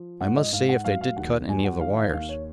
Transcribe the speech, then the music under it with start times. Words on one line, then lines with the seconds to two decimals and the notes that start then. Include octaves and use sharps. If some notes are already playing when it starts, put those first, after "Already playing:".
"I must see if they did cut any of the wires."
Already playing: F3
0.20 G#2 F#5
0.36 D#5
0.52 G#2 F5
0.69 F#5
0.84 F#3 F5
1.01 F5
1.16 D#2 F#5
1.49 F#3 G#5
1.64 F#5
1.81 D#3 F5
1.97 F5
2.13 D#2 F5
2.29 C#5